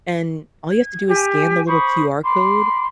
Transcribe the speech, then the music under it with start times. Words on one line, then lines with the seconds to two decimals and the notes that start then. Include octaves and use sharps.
and all you have to do is scan the little QR code,
0.70 G#6
1.08 G4 G#5
1.67 C5 B5 C#6 D#6
2.23 B5 C6 D6